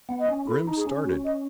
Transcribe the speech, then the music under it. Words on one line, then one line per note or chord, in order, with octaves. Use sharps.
Grim started.
B3
D#5
C#4
E4 A4
D#4
G#4
C#4
F#4
D#5